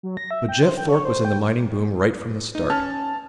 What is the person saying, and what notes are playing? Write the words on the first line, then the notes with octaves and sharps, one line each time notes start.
But Jeff Thorpe was in the mining boom right from the start.
F#3
A#6
E5
G5
C5
G5
C#5
C5
G5
D#4
C#4 A5 F6